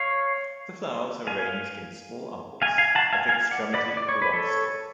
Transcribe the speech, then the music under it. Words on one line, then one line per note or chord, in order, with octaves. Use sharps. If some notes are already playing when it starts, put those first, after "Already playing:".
The flowers are arranged in small umbels at the extremity of a long stalk.
Already playing: C#5 F5
F5 G#5
F5 G#5
F5 G#5
F#5 A5
F5 G#5
F5 G#5
D5 F#5
B4 D5
D5
C#5
B4
A4 C#5